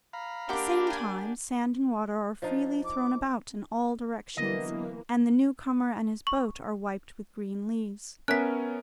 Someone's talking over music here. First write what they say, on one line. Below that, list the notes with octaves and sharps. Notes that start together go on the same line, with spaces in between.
At the same time sand and water are freely thrown about in all directions, and the newcomer and his boat are wiped with green leaves.
F5 A#5 B5
A#3 D4 G4 F#5 G5 D6
G5 G#5
F3 D4 D#4
D6
D3 E3 F#3 A#3 B3 D#5
C#6
B3 C#4 A#4 E5 G#5 F#6 B6